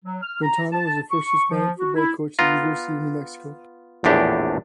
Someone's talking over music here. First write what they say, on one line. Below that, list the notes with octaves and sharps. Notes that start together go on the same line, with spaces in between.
Quintana was the first Hispanic football coach at the University of New Mexico.
F#3
F6
A#5
A5
C#6
F3
F#4
E4
B3 F4 A#5
A#1 E2 A2 D4 G4